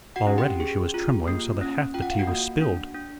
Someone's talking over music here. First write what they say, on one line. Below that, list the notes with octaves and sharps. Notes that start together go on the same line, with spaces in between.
Already she was trembling so that half the tea was spilled.
F#4 F#5
C#4
G4 G5
G#4
F4
A#3
C#4
F4 G5
F#5
F5
F#4 F#5
A#3
D4
D4